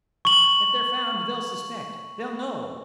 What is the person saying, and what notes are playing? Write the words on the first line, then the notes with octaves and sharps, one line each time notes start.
"If they're found, they'll suspect--they'll know ..."
C#6 F#7